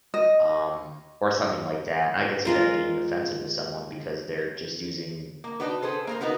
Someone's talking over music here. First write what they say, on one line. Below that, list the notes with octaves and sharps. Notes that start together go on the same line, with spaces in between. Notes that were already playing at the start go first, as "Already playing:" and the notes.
um, or something like that, and I could see that being offensive to someone because they're just using
D#5
G#3 F4 A#4
A#3
D4 D#4 F#4 B4
G#4 A4 B4 C5
A#3 A#4 C5
B3 D#4 F#4 A#4 B4